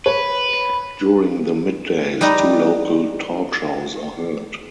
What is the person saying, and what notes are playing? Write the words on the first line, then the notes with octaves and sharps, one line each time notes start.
During the middays, two local talk shows are heard.
B4 C#5
G3 D#4 B4 A#5